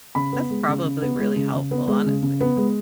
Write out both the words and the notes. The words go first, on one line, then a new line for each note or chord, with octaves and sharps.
That's probably really helpful, honestly.
C#3 B5
B3
G#3
C#3
C#3
B3
G#3
C#3
C#3
B3
G#3
C#3
C#3
B3
G#3